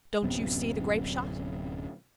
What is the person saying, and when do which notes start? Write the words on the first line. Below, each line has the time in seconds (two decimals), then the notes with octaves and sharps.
"Don't you see the grape-shot?"
0.23 D1 F#2 C3 B3